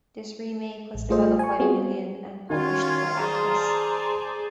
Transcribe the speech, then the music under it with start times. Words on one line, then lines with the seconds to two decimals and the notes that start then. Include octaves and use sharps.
This remake was developed by Million and published by Atlus.
0.94 A1
1.10 A3 F4 G#4 A4 C5 D#5
1.39 G#5 C#6
1.59 B3 C4 F4 F#4 G#4
2.50 D#3 C#4 F4 F#4 G#6
3.14 G#4 C5 D5 A5 A#5 C6